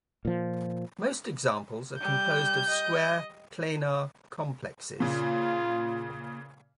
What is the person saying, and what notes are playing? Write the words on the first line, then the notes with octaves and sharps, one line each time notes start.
Most examples are composed of square planar complexes.
A#2 F3
G3 G6
D#5
A#2 C#3 F4